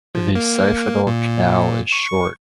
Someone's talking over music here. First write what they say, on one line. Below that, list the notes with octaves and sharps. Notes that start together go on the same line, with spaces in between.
The siphonal canal is short.
F3
A#3
A#2
C#6